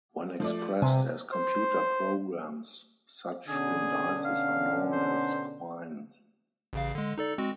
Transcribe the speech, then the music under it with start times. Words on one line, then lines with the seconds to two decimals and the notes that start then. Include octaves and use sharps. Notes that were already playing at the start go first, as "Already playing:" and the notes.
When expressed as computer programs, such indices are known as quines.
0.40 F3 A3 D5
0.82 C3 G#5
1.33 C5
3.48 B2 D3 C#4 G#4
4.25 F5
4.93 C5
6.73 A1 C#3 F5
6.95 D3 G#3
7.18 D#4 A4 D5
7.38 G#3 C4 F#4